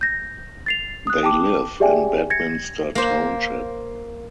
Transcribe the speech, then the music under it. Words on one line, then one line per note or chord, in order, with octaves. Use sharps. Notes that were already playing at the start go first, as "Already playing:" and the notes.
They live in Bedminster Township.
G6 A#6
A6 C7 F7
D#6 F#6
G5 A5 D6
G4 G#4 D5 E5 G5 G#5
G#6 A#6 C#7
A#3 C5